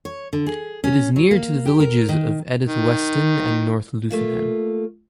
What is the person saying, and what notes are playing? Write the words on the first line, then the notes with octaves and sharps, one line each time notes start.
It is near to the villages of Edith Weston and North Luffenham.
C#5
D3
G#4
C#4
F#3
A#3
G4
A#4
D#3
D#3
A3 A#3 F4